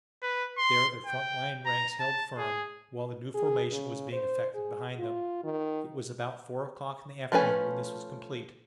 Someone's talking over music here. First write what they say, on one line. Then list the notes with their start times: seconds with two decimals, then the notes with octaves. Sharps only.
There their front-line ranks held firm, while the new formation was being effected behind them. It was about four o'clock in the afternoon when this was complete.
0.23 B4
0.58 C6
1.06 G5
1.66 A#5
1.99 A5
2.38 G#4
3.35 G#4
3.72 C#3
4.12 C5
4.55 G#4
4.99 F4
5.44 D#3
7.32 F3 A3 C#4 B4 G#5